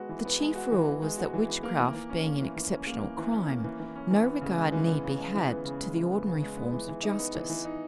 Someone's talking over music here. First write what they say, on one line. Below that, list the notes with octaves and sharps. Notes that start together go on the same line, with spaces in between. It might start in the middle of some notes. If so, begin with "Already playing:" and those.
The chief rule was that witchcraft being an "exceptional crime," no regard need be had to the ordinary forms of justice.
Already playing: G#3 B3 F#4
E3
B3
G#3
F#4
E3
B3
G#3
F#4
E3
B3
A#3
E3
E3
C#4
A#3
E3
E3
C#4
A#3
E3
E3
C#4
A#3
E3
E3
C#4
E3
B3
C#3
G#3
E3
B3
C#3
G#3
E3
B3
C#3
G#3
E3
B3
C#3
G#3
B3
E3
E3
D#4
B3
E3
E3
D#4